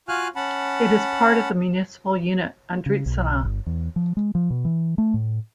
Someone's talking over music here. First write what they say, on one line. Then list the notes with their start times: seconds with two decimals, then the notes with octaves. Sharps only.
It is part of the municipal unit Andritsaina.
0.08 F4 F#4 F5 G#5 F6 F#6
0.36 C#4 F#5 A5 B5
2.86 C#3
3.06 B1
3.44 G1
3.66 E2
3.96 F3
4.17 G#3
4.35 F3
4.50 B2
4.65 E3
4.98 A3
5.14 A2